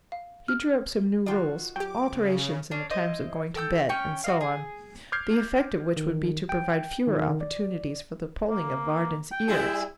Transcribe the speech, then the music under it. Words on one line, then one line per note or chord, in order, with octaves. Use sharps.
He drew up some new rules--alterations in the times of going to bed, and so on--the effect of which would be to provide fewer opportunities for the pulling of Varden's ears.
F5
F6
D#3 F4 F#4 D5 G5
F#3 G4 G5 D6
C#3
C#4 D4
E4 C5 D#5
A4 G5 E6 G6
C#4 G5 C#6
F#4 D#5 F5
G#4
D6 F6 G6 G#6 C7
D#3
G5
D#3
D5
A#3
G5
G3 E4 G#4